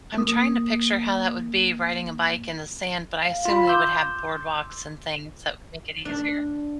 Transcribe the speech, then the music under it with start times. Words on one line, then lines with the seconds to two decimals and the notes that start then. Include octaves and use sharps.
I'm trying to picture how that would be riding a bike in the sand, but I assume they would have boardwalks and things that make it easier.
0.17 A#3 D#6
3.25 F5
3.45 F4 B5
3.67 C6 D6 E6 G6
6.05 D4